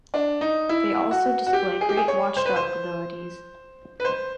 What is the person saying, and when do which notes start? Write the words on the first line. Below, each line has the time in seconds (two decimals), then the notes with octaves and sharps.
They also display great watchdog abilities.
0.14 D4
0.41 D#4
0.69 E4
1.11 F#4
1.47 F#4
1.53 G4
1.81 G#4
1.89 G4
1.97 G#4
2.08 C#5
2.37 C5
2.45 B4
2.56 C5
4.00 B4
4.05 C5